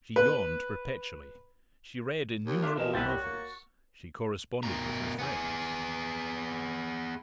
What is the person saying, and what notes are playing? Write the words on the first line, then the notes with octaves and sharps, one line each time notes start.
She yawned perpetually; she read innumerable novels; she corresponded with her friends.
B4
D#2
D4 F4 E5
C3 E3 F3 A#4 B4 D5 D#5
C2 C4 C#4 B4 E5 F#5 A6
F#4 G4 C#5
A#3 C#6
B2 A#4
B3 G#4